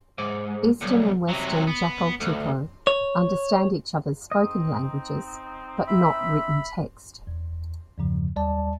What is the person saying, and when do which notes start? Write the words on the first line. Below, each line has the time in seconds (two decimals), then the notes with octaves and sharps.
Eastern and Western Jakalteko understand each other's spoken languages, but not written text.
0.18 G#2
0.82 B1 G2
1.29 C3 F#3
1.67 B3
2.20 D2
2.87 C#5
4.31 C4 D#4 D#5
5.88 E5 B5
7.27 E2
7.98 E2 G2 C#3 F3
8.36 D#2 G3 D5 D#5 A5